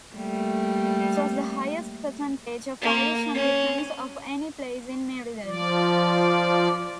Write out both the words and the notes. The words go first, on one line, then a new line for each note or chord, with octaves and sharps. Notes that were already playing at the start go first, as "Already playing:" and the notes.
This was the highest percentage of Irish Americans of any place in Maryland.
G3 A3 A#3
A#3
C#4
F3 D5